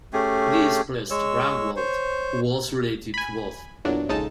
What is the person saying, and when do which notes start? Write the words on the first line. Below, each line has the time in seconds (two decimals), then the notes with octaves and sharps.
This pleased Ragnvald who was related to both.
0.13 A3 C#4 G4 G#4
1.10 G#3 C#5 E6
1.76 C5 C#5
3.14 G#5 B5
3.85 E2 A#2 F#3 D4
4.09 A#1 C#3 G#3 D#4 A4 A5